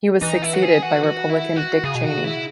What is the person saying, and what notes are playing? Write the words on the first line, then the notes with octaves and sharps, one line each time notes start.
He was succeeded by Republican Dick Cheney.
E3 D#4
E4
F#4
G#4
F#4
F#4
E4
F#4
C#3 G#4
B2
C#3 F#4
E4